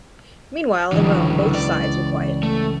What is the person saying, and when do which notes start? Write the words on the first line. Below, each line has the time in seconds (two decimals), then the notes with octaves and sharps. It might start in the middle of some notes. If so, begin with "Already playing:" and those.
Meanwhile, in Rome both sides were quiet.
0.92 C#2 D3 E3 F#3
1.54 D5
2.43 A3